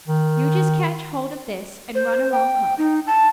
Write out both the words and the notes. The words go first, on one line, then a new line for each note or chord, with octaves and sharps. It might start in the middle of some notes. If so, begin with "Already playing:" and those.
You just catch hold of this and run along home.
D#3
C5
G5
D#4
A5